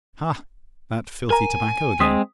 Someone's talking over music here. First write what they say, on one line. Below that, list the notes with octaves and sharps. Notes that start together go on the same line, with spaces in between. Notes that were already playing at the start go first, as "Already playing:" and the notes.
Ha! that filthy tobacco again!
A#4 G#5 A#5
G#3 C4 D#6 B6